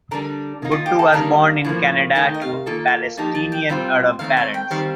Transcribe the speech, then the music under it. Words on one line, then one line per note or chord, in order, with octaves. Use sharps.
Buttu was born in Canada to Palestinian Arab parents.
D3 G3 D4 A#4
D#3 A#3 D#4
F4
G4
A4
D#3 G3 A#3 D4 A#4
A2 F3 A#3
D#3 A3 D#4 A#4 G5
D#5
F5
D#3 A#3 F4 A4
F3 A#3 D#4 G4 A5
A5
G5
C3 G3 C4 F4 C5
D#3 A3 C4 F5
F5
G5
D#3 G3 C4 G4 C5 F5